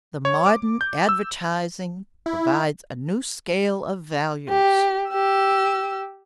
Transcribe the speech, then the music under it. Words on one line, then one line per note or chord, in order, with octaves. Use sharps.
The modern advertising provides a new scale of values.
C#5
D6
G6
E6
E4
G4
G4 E6